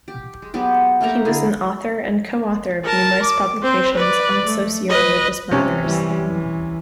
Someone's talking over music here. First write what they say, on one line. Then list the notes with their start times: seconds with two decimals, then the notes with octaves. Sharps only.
He was an author and co-author of numerous publications on socio-religious matters.
0.08 G4
0.42 G#3
0.54 F#3 G#3 B3 G4
1.01 A3 A#3 G4 A#5
1.25 D3 E4 G#4
2.84 A#4 A5
3.22 D6
3.63 C4 C5
3.94 B4 D5
4.46 A3
4.89 B4 D#5
5.51 C3 C#4
5.84 E3 G3
6.27 E3